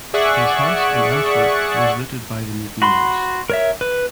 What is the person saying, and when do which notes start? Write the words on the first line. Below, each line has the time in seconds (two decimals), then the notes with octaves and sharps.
His house in Antwerp was looted by the mutineers.
0.14 G#4 D5 E5 F#5 C#6 F#6
2.82 F#4 B5 C6
3.50 A#4 C#5 E5
3.81 B4